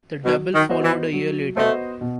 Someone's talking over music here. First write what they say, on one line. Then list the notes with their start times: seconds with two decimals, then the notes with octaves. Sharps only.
The double followed a year later.
0.24 B2 F#3
0.54 D#3
0.69 B3 F#4 C5 D#5
0.83 E3
1.13 F#3
1.57 A3 B3 F#4 C5 D#5
2.01 B2